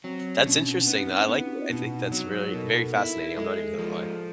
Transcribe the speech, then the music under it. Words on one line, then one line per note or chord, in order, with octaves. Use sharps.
That's interesting, though, I like it, I think that's really very fascinating, I'm not even gonna lie.
F#3 C4
C#4
B2 D4
D4
B3 D#4
B3 E4
G4
F#4
F4
E4
B2 D#4
D#4
F#3
G#4
A#4
B2 A4
E4
G#3 A4
F3